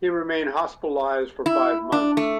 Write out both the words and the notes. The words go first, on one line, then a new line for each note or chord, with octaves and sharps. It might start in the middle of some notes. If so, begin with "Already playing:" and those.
He remained hospitalised for five months.
E4
D4
A3